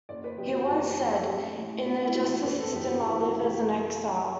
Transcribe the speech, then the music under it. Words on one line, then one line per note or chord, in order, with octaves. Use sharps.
He once said, In the justice system, I live as in exile.
F#1 D5
B4
F#2 G4
E3
F#4
F#1 F#4
G4
F#2 E3 G4
A4
A1 G4
A2 E3
A1 F#4
E4
A2 E3 F#4
F#1 B4
A4
F#2 E3 G4
F#4
F#1 E4
F#4
F#2 E3
G4